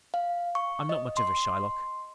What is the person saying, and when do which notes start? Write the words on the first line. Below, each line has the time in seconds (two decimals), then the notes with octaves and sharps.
I'm not much of a Shylock.
0.14 F5
0.55 C#6
0.89 D#5
1.17 C6